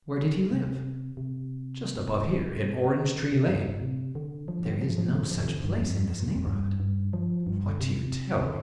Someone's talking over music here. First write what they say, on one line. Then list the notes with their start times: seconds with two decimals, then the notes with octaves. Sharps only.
Where did he live?" "Just above here, in Orange-Tree Lane." "There is no such place in this neighbourhood." "What do you tell me!
0.51 C3
1.17 C3
3.16 D3
3.32 C3
3.49 G2
3.66 A2
3.81 C3
4.15 D3
4.48 F3
4.65 D3
4.81 F3
4.98 F3
5.15 D3
5.31 F3
5.42 C3
5.48 D3
5.64 G2
5.80 F2
6.36 F2
6.47 G2
6.80 G2
7.13 F3
7.47 G2
7.68 D3
7.80 C3
8.37 C3
8.46 D3